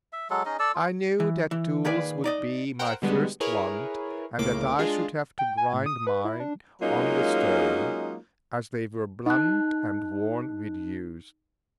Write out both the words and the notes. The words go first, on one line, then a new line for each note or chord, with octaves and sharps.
I knew that tools would be my first want, and that I should have to grind mine on the stone, as they were blunt and worn with use.
E5
F#3 G#3 A4
C#4 D#4 G#4 D#5
A4 D5 E6
F4
E3
E3
A#2 D#3 G#4 B4 D5
D#4 D5 D#5
A#4 C5 F#5 G5
B2 D3 G3 G#3 B3
E4 G#4 A#4 B4 C#5
C#2 A2 A#3 D6
G#3 D4 F4 G#4
G5
G#5
A2
D#6
B4
E4
D4
F#3 G#3 A#3 C#4 D#4 F4
D#4 A5 F#6